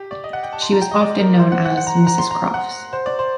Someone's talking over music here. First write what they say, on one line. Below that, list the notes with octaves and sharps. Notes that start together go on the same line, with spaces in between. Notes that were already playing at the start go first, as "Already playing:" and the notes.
She was often known as "Mrs Crofts".
Already playing: G4
D5
D#5
F#5
G5
A5
C6
A#5
G5
D#5
D5
A#4
C5
F#5
F#5
F#5
A#5
A#5
C6
A#5
F#5
C5
D5
C5